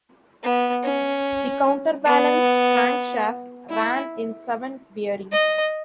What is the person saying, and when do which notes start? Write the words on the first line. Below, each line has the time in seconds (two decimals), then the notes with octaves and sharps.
The counterbalanced crankshaft ran in seven bearings.
0.43 B3
0.83 C#4
2.05 B3
3.69 E4
5.32 D#5